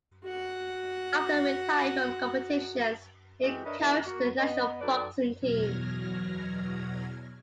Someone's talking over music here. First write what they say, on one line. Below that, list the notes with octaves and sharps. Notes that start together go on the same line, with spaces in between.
After retiring from competitions he coached the national boxing team.
F#4 F#5
E3 G#3 C4 F#4 G4 D#5
D4 A#4 B4 C#5 D#5 E5
E2 G2 D#3 D#4 E4 E5
A#3 F#4
B3 D#5
F#3 D#4 A4 B4 D5
E2 B2 F#3 F6 G#6 A#6